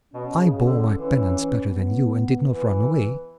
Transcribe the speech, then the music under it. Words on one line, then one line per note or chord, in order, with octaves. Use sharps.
I bore my penance better than you, and did not run away.
B2 C#4
C#3
D3
E3 C#4
B3
E3